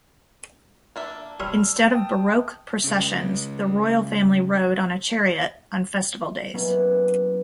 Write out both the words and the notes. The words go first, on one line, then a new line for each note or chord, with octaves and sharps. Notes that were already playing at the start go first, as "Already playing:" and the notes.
Instead of barque processions, the royal family rode on a chariot on festival days.
A#3 D4 E5
G3 C#5 C6 E6 F6 F7
G5 A5 D#6
C#3 G#3
F#3 A#3 B3 C#4 D#4 E4